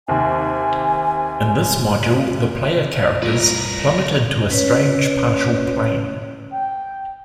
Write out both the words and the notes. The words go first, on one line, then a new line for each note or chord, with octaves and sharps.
In this module, the player characters plummet into a strange partial plane.
D#2 C3 G#5
C2 G2 C#3 F4 A#4 B4
C#4 B4 C#5
G5